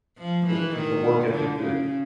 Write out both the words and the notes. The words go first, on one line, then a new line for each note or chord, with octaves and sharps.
The 'cause the work ethic that
F3
E3
D#3
D3
C#3